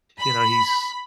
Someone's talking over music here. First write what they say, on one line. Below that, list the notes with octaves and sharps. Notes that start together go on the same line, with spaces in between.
you know, he's,
B5